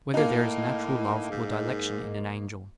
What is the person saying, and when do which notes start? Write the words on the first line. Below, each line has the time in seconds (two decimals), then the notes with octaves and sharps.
Whether There Is Natural Love or Dilection in an Angel?
0.14 A2 A#3 D#4
1.31 G#2